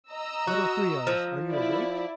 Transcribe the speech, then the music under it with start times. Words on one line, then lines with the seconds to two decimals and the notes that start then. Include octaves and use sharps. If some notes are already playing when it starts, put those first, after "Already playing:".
'Little Three-eyes, are you awake?
0.11 D#5 A#5 E6
0.47 F#4
1.07 F3
1.50 E4 D5